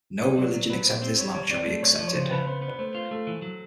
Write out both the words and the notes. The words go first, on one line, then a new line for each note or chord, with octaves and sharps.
No religion except Islam shall be accepted.
D#4 C#5
D5
F#3 C#5
F#3
F#3 B4
A#2 C5
C4
G3 C#5
G3 C#5
C4 D5
A3
B1 C#5
F3
C#5
C#3 C5
C#3 B4
B3 C5
B3
B4
A3 C5
F4
A3 A4
E3
F#3